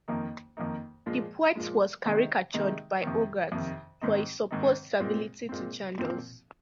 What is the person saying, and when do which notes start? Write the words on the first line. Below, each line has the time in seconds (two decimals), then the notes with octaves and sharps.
The poet was caricatured by Hogarth for his supposed servility to Chandos.
0.08 F2 D#3 A#3 D#4
0.57 F2 D#3 A#3 D#4
1.06 A#2 F3 G#3
1.55 A#2 F3 G#3
2.04 C3 D#3 G#3 D#4
2.54 C3 D#3 G#3 D#4
3.03 F2 C3 D#3
3.52 F2 C3 D#3
4.01 G#2 D#3 C4 D#4
4.51 G#2 D#3 C4 D#4
5.00 A#2 G#3 C4
5.49 A#2 G#3 C4
5.99 A#2 F3 C4